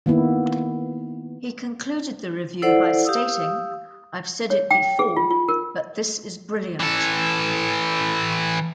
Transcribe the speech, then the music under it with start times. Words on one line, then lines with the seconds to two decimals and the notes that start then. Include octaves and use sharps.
He concluded the review by stating, I've said it before... but this is brilliant.
0.06 D#3 A#3 B3 E4
2.62 E4 A4 C5 D5 F#5
3.05 G4 F5 D#6 E6
4.50 C#5
4.71 G5
4.99 G#4
5.17 F4
5.31 F4
5.49 A#4
6.80 E3 A4